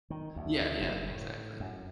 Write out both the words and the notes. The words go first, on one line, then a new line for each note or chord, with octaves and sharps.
Yeah, yeah, exactly.
D#3
D2
F#1
A2
F#2